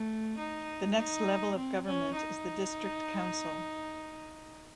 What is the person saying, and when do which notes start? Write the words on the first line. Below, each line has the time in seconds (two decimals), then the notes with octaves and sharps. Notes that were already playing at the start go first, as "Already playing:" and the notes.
The next level of government is the district council.
Already playing: A3
0.38 D#4
0.98 D#4
1.56 C4
1.87 C#4
2.16 D#4